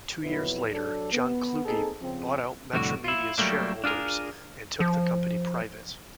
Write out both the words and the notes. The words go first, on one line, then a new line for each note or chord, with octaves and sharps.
Two years later, John Kluge bought out Metromedia's shareholders and took the company private.
F2 B2 F#3 E4 B4
F#3 D4 A4
B3
A#3 C4 D#4 G#4 A4
C#3 F3 C4
C2 F2 A2 D3 F#4
E4 F4
F#3 G3 A3 A#3 D4
D4 F4 G#4 A#4
F3